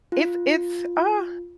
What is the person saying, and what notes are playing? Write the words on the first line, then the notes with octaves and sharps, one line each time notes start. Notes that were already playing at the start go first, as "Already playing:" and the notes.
it's it's, uh
F4